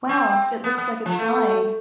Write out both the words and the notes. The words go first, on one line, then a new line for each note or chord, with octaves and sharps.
Wow! It looks like it is flying!
C4
B3
B3
F3
A3